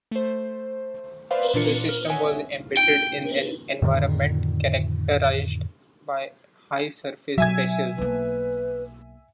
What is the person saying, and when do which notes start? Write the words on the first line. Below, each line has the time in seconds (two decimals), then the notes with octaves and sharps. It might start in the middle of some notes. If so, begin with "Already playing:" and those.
The system was embedded in an environment characterized by high surface pressures.
0.11 A3 C5
1.31 B4 C5 D5 E5 F5 C6
1.54 A#2 E3 D4 F4 A#4 C#7
1.89 F6
2.07 C#5 D#5 E5 F#5 G#5
2.77 G5
3.82 F2 A2 D3 D#3
7.38 B2 D#3 F#3 E5 G#5 G#6
7.98 B1 A#3 B4